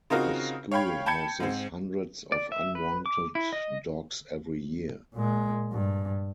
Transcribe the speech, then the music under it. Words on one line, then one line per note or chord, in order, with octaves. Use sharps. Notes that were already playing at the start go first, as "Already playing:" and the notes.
The school houses hundreds of unwanted dogs every year.
C#3 C4 D#4 F4 F#4 A#4
C#5 F5 G5 B5 G#6
G5 A5 B5 G6 G#6 C#7
G#2 C4
D5
E5
B4
D6
E4
D#5
A#2 G#3
G2